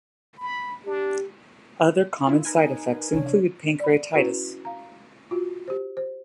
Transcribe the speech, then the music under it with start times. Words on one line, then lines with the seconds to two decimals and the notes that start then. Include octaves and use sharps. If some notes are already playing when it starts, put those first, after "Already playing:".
Other common side effects include pancreatitis.
0.38 B5
0.87 D4 G4
2.27 E4 F4
2.45 D#4 A#4 B4 G#5
3.13 C3 E3 D4 C#5
3.80 D5 B5
4.13 C#4 E4 F#4 B4 B5
4.65 F5 A#5
5.31 F4 F#4
5.68 G4 C5
5.97 C5